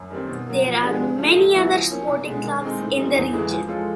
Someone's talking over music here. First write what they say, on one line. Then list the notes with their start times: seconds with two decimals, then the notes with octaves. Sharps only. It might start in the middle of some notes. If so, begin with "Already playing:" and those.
There are many other sporting clubs in the region.
Already playing: F#2
0.10 D#3 G3 C4
0.28 B2
0.46 F#3 A#3
0.64 F3
0.83 G#3 B3 D4 G4
1.01 C#3
1.18 F3 A3
1.36 C#2
1.54 C#3 F#3 B3 E4
1.72 F3
1.90 A#3 C#4
2.07 C2
2.25 B2 G#3
2.43 D#3
2.61 G#3 C4 D#4
2.79 A2
2.96 E3 G3 C4 D#4
3.15 E2
3.33 C#3 E3 G#3
3.50 F3
3.68 G#3 C#4 F4 A4